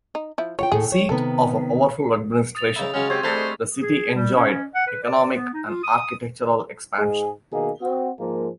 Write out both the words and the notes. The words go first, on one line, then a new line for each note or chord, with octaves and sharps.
Seat of a powerful administration, the city enjoyed economic and architectural expansion.
D#4
F3 E4
F4 C#5 F#5 G5
D#2 A2 A3 G#4
C#5
C3 D#3 B3 A4
D#6 A6 F7
C#3 D#4 E4
C#3 F#3 G#3 C#4 F6
C4 G4 C5 C#6 G#6 A6
G3 A3 D4 G#4 A4 C5 B6 F7
D#5
G#4
G3
C#4
F#5
B4
D5
B3
D#4
F4
D#6
G#2 G#3 G#4
B2 D#3 A#3 D#4 G#4
C4 F#4
G#2 F3 G#3 A#3